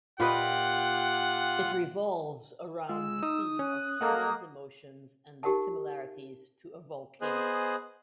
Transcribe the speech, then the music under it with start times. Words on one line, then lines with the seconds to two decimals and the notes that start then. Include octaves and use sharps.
It revolves around the theme of humans emotions and their similarities to a volcano.
0.20 A#2 F4 G4 B4 D#5 F#5
2.89 G#3 F4 E6
3.23 D#4 D#6
3.59 C#4 F#6
4.01 A#3 A4 D#5 F#5
5.43 D#4 G4 A#4 F#5 A5
7.21 B3 G#4 C5 D#5 G#5 F#6